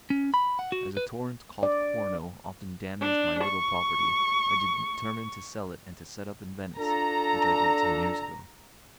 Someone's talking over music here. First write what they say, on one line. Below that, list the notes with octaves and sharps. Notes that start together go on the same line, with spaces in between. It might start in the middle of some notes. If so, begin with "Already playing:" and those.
As a torrent called Corno often damaged my little property, I determined to sell it and to set up in Venice, which I did ten years ago.
C#4
B5
F#5
F#4
B4
D5
D4
C#6
D4 F4 A4 A#5